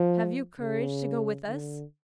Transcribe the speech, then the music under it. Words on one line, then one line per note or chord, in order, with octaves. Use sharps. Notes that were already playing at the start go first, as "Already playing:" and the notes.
Have you courage to go with us?
Already playing: F3
C#3
D3